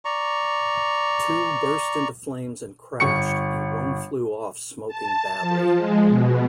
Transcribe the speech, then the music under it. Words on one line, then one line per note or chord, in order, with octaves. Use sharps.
Two burst into flames and crashed, and one flew off smoking badly.
D5 A#5 C#6
G1 C#6 C#7
A5
F3
G#3
B2